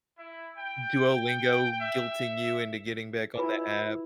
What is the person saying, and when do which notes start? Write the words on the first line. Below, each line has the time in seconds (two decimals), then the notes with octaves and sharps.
Duolingo guilting you into getting back on the app.
0.18 E4
0.58 G5
1.80 E5
3.36 E4 F4 B4 G#5